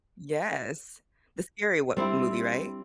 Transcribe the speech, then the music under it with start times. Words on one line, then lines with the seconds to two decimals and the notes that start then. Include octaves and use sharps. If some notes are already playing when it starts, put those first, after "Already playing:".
Yes. The scary what movie, right?
1.97 G3 C4 D4 E4